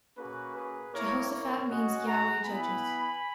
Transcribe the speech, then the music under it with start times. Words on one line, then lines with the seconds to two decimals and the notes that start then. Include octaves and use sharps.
Jehoshaphat means Yahweh judges.
0.17 A#3 C#4 F#4 G#4 B4
0.55 G#4 B4
0.93 A#3 E4 A#4 C#5
1.31 A#4 C#5
1.69 G#3 C#4 F#4 D#5 F#5
2.06 F#5 A#5
2.44 B3 E4 G#5 B5